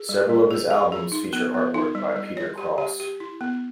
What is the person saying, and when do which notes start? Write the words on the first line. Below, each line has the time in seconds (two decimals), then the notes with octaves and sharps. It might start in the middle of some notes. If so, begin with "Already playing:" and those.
Several of his albums feature artwork by Peter Cross.
Already playing: G#4
0.09 G3
0.30 G3
0.51 G#4
0.70 G#4
0.92 G#4
1.12 D#4
1.33 B3
1.54 B3
1.74 D#4
1.95 G3
2.16 G3
2.37 C#5
2.58 G4
2.78 G4
3.00 G4
3.20 E4
3.41 B3